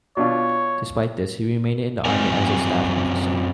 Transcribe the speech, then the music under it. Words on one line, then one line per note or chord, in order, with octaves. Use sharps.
Despite this, he remained in the army as a staff officer.
B2 D4 F4 C#5
F#2 F#3 C4 A#4 D5 G#5